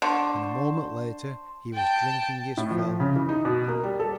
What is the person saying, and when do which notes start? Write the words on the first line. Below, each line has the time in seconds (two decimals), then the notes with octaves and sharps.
And a moment later he was drinking his fill.
0.02 D3 C5 A5 C#6
1.73 G5 A5
2.57 A2
2.71 F3
3.00 C#3
3.16 E3
3.29 D#4
3.45 B2
3.68 A#3
3.83 G3
4.00 A4